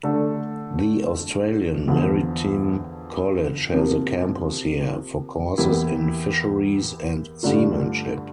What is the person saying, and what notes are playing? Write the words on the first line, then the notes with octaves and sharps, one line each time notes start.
The Australian Maritime College has a campus here, for courses in fisheries and seamanship.
D3 A3 D4 A4
E2 D3 F3
C3 F3 A#3
E2 E3 A#3 E4 G4
G2 D3 A3 D4 F4